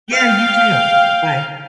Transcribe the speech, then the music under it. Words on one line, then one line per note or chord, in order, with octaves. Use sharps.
Yeah, you too. Bye.
F5 G5